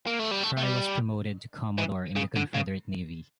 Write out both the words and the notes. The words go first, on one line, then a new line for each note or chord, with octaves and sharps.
Fry was promoted to Commodore in the Confederate Navy.
A#3
A3
G3
A3
A3
G3
E3
C#3
D3
C#3